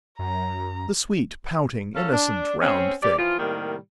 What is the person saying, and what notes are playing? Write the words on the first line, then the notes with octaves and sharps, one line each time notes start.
The sweet, pouting, innocent, round thing!
F#2 A#5
F#2 C#4 A4 F5
D4
C4 C#4
G3 G4 D5
E3 F3 F4
A2 C3 D#3 G3 A#3